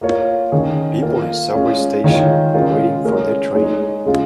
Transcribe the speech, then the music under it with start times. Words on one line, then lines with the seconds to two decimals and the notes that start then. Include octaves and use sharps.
People in a subway station waiting for their train.
0.01 A#3 F4 A#4 C#5
0.52 D#3 C#4 G#4
1.02 A#3 F4 A#4
1.53 G#3 C#4 F4
2.04 D#3 G#3 F4 C#5
2.54 C#3 G#3 F4 A#4 C#5
3.05 G#3 C#4 A#4 C#5
3.55 G#3 D#4 C#5
4.05 C#3 G#3 F4